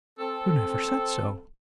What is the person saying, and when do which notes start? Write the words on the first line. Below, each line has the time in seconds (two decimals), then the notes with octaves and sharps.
"You never said so."
0.19 C4 A4